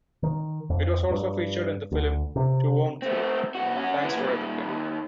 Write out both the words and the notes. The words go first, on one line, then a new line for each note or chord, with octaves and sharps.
It was also featured in the film To Wong Foo, Thanks for Everything!
D#3
F2
G2
D2
C3
A3 C4
C2 F#4
C#4 F#4
E3 B3
A#2 G3
D#2